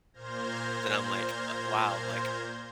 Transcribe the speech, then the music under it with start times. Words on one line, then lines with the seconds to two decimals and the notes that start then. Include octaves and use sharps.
that I'm, like, uh, wow, like,
0.13 A#2 C5 F6 G6 G#6 A#6